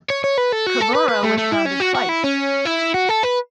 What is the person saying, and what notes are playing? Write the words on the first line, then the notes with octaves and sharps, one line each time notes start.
Carora was founded twice.
C#5
C#5
B4
A4
F#4
A4
B4
B4
A3
A3
E4
C#4
F#4
F#4
E4
C#4
E4
F#4
A4
B4